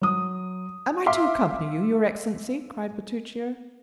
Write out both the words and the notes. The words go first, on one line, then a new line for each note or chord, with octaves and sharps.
"Am I to accompany you, your excellency?" cried Bertuccio.
F#3 D#6
E5 F5 C6 D6